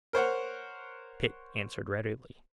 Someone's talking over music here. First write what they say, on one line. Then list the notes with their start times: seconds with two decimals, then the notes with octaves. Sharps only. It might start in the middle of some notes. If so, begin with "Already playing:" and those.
Pitt answered readily.
0.13 A#4 C5 C#5 F#5